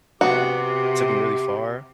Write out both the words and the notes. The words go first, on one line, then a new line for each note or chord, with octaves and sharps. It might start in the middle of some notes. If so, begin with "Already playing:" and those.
took me really far,
C3 B3 F#4 G4